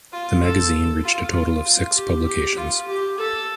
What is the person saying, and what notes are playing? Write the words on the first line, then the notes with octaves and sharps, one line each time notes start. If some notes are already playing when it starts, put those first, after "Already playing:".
The magazine reached a total of six publications.
F4
A4
F4
F4
F4
G4
G4
F4
G4
A4